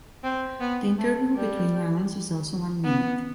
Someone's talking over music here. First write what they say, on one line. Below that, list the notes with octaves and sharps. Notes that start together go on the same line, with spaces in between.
The interval between rounds is also one minute.
C4
B3
A3
G3
B3